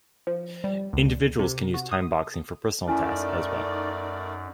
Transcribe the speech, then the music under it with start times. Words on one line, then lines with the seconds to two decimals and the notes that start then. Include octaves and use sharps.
Individuals can use timeboxing for personal tasks, as well.
0.27 F3
0.64 G3
0.93 C#2
1.39 C3
1.74 F#4
1.91 D#6
2.88 F#2 A3 C#4 D#4 E4 A#4 D5 G#5